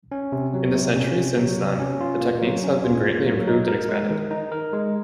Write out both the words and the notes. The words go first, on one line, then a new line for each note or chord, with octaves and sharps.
In the century since then the techniques have been greatly improved and expanded.
C#4
C3
F#3
C3
C#4
C3
F#3
C3
C#4
F4
A#3
F#3
C#4
F4
A#3
F#3
D#4
A#4
G#3
D#3
D#4
A#4
G#3